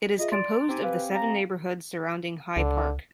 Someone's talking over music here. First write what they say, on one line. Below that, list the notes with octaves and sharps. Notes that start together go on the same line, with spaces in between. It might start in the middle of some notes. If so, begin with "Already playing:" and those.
It is composed of the seven neighbourhoods surrounding High Park.
F4 G#4 D#5 E5
D5 C6 A6 D7
C4 D#4 G4 G#5
B4 F5
F5 A#5
C#2 D3